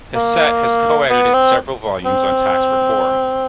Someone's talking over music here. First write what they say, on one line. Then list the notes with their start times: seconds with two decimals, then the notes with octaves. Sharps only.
Hassett has coedited several volumes on tax reform.
0.15 A#3
1.10 B3
1.34 C4
2.05 C4